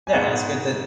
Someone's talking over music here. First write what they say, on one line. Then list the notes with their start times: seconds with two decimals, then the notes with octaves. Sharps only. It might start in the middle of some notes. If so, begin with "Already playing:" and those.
Yeah. And it's good that
0.07 G#5
0.13 G#2 G#3 B3 F#5